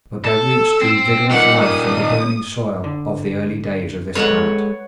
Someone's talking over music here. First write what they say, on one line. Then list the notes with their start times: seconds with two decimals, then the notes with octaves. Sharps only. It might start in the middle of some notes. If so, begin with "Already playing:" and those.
But their roots drew vigorous life from the burning soil of the early days of this planet.
0.25 A4 E6
0.81 C4
1.30 A#2 D#3 F#5
1.63 D#6
2.84 D3
4.15 G#3 A4 B4 C#5 F#5